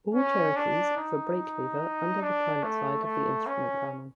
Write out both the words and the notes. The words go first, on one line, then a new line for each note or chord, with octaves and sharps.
All Cherokees have a brake lever under the pilot side of the instrument panel.
C#4
D4
D#4
D4
A3
A3
C#4